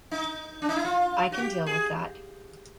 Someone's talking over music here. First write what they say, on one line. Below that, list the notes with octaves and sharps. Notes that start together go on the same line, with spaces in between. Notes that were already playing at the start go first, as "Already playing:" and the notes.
I can deal with that.
D#4
D4
D#4
E4
F4
F#4
G4
G#4